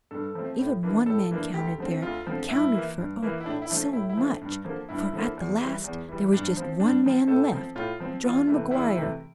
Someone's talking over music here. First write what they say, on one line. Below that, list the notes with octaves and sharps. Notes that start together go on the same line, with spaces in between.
Even one man counted there--counted for, oh, so much!--for at the last there was just one man left----John McGuire.
G2 A4
F3 A3 C4
A2
E3 A#3 D4
A2 A4
E3 A#3 D4
D2 G4
D3 F3 C4
D2 F4
D3 F3 C4
G2 E4
E3 A#3
G2
E3 A#3
E4
A2 D4
E4
F3 A3 D4
A2 E4
E4
F3 A3 D4
G2
D3 F3 A#3
G2 E4
D3 F3 A#3
E2
E3 G3
E2
E3 G3
G2 D4
F3 C4
G2 D4
F3 C4
A2 A4
F3 C4
A2 F4
F3 C4
E2 F4
C3 E3 A3
E2 E4
C3 E3 A3